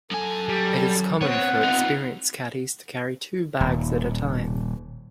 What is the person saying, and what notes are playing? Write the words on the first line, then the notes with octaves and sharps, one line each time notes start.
It is common for experienced caddies to carry two bags at a time.
F#2 A4 G#5
G3
B3 C4 C#5 F#5
D#4 F4
D#1